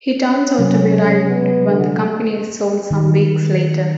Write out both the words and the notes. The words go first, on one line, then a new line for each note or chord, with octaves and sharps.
He turns out to be right when the company is sold some weeks later.
C#4
C3 F#3
B3
D3
D#3